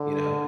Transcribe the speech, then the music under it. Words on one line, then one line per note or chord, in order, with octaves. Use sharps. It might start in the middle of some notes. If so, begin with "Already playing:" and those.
you know,
Already playing: D3